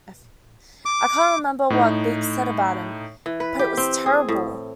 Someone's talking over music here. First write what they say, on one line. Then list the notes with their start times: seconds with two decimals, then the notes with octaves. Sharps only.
I can't remember what Big said about him, but it was terrible.
0.85 D6
1.70 A2 D#4
3.26 E3
3.40 B4
3.59 G4
3.77 C4
4.06 G#4
4.29 A2